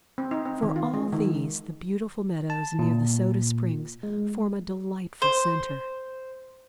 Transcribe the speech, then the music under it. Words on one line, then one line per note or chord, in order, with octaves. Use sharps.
For all these the beautiful meadows near the Soda Springs form a delightful center.
C4
D#4
C4
D#3
F4
G#3
D#3
A5
A#2
G#3
C5